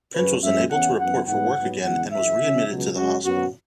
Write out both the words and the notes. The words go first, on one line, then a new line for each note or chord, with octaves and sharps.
Prince was unable to report for work again and was re-admitted to the hospital.
F#2 C#3 F#3 C#4 B4
F#2 E3 G#3 E5
E2 E3 C#4 F#5
F#2 E3 B3 F#5
G#2 E3 B3 F#5
G#2 F#3 B3
E2 C#3 G#3 F#5
F#2 C#3 E3 E5
E2 C#3 F#3 C#4
C#2 B2 F#3
F#2 C#3 G#3 C#4 F#4
F#2 F#3 B3 F#4